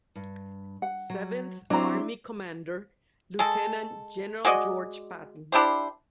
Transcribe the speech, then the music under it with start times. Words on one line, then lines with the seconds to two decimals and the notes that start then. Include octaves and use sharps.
Seventh Army commander, Lieutenant General George Patton.
0.16 G2
0.82 F#5
1.10 F#3
1.70 F#3 C4 D4 E4 G4 A#5
3.39 G#3 A4
4.45 G#3 F#4 D5 D#5
5.52 D4 E4 G4 C5